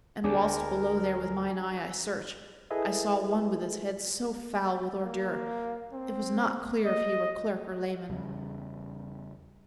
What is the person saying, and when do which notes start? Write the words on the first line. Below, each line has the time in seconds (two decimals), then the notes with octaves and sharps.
And whilst below there with mine eye I search, I saw one with his head so foul with ordure, It was not clear if he were clerk or layman.
0.24 D2 D4 G#4 A#4
2.71 E4 G#4 A4 B4 D#5 E5
5.04 A#3
5.93 C4
6.84 D#5
8.10 E2 C#3 G3